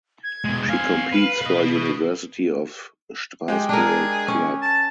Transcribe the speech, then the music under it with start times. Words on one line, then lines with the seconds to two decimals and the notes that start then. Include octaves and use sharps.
She competes for University of Strasbourg club.
0.23 G#6
0.45 B2 G#3
0.68 C4 F5 G#5
1.12 B4
1.41 B4 D#5
3.48 G#3 G4
3.69 D4 G#4 A#4
4.28 C#4
4.62 A5